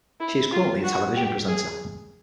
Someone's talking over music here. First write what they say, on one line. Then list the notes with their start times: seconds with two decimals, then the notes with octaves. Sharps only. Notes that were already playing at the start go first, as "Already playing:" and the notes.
She is currently a television presenter.
0.20 E4
0.52 F4
0.84 F#4
1.16 G4
1.48 G#4